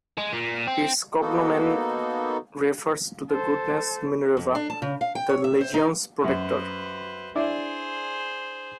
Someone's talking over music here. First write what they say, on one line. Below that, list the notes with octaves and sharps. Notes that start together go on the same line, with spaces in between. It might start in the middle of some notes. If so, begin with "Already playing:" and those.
Its cognomen refers to the goddess Minerva, the legion's protector.
G#3
A#2
C4
A#3 B3 D#4 F#4 A4
A4 C5
F2
D4
A5
C#3
F5
G5
C#5
E5
C5
D#4
F#2 B4 C5
D4 E4 G#4 C5 D5